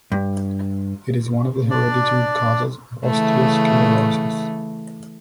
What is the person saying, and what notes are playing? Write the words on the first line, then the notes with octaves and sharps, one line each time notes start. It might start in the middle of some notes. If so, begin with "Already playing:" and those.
It is one of the hereditary causes of osteosclerosis.
G2
D4 D5
C#3 E3 A3